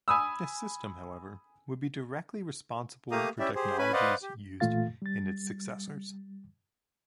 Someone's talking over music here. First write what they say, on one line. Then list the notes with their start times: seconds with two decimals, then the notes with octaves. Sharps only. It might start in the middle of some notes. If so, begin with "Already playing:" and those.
This system, however, would be directly responsible for technologies used in its successors.
0.08 G#5 B5 D#6 E6
3.11 A3 A#3 G4 F5 A#5 D#6
3.39 C#4 E4 G4 D5 E5
3.55 G4 G#4 C5
3.78 C#4 B4 G#5 B5
3.93 B4 C5 D5 D#5 F5 F#5
4.22 G4
4.60 A#2 E3 A3 F4 F5 A6
5.02 G3 A6